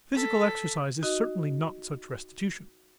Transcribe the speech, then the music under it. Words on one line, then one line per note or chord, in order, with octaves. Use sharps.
Physical exercise is certainly not such restitution.
A4 B6
D#4 F#4 D#5